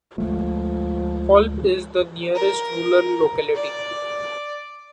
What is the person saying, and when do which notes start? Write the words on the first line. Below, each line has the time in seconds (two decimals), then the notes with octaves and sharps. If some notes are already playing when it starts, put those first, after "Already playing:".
Kolp is the nearest rural locality.
0.18 D2 F3 G#3 A3
2.35 A#4
3.55 D5